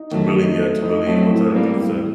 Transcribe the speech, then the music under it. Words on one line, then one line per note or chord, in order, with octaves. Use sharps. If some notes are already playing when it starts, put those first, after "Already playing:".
To really, uh, to really, what's that, I think it said
Already playing: D#4
D#3 F#3 A3
D#4
A3
D#4
F#3 A3 C4
A2
G3 A#3 C4
A2